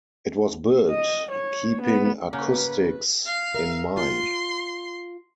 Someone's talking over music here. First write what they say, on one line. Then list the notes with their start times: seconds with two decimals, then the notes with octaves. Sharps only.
It was built keeping acoustics in mind.
0.90 D#5
1.32 C#5
1.82 B3
2.33 C#3 A#3 A#4 B4 F#5
3.25 F5
3.54 A#4 E5
3.97 F4 C6